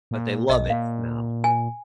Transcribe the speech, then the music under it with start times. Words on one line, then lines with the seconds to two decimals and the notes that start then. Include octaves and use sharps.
But they love it now,
0.11 A#2
0.50 B1 D#5
0.70 A#2 F5
1.44 G#5